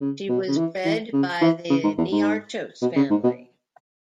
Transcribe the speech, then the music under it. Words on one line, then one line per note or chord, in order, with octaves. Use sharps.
She was bred by the Niarchos family.
C#3
B2
C#3
E3
E3
C#3
E3
C#3
G#2
E2
G#2
B2
C#3
G#2
B2